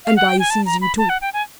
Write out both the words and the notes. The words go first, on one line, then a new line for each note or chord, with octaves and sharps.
And I sees you too.
F5
F#5
G5
G#5
A5
A#5
B5
A5
F#5
G5
G#5